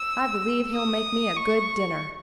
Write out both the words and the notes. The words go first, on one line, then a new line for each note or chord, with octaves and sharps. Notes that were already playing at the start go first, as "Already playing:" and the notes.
I believe he'll make me a good dinner.'
Already playing: E6
D#6
C#6